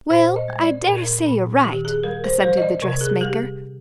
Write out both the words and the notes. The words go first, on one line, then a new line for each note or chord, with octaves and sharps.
"Well, I dare say you're right," assented the dressmaker.
A#2 C5
D#5
G#3
D5
A#2 A#4
A#2
D#3 G4
G#4
G3 A#4
C5
G3 C5
D#5
D5
C3 A#4
G#4
G3 G4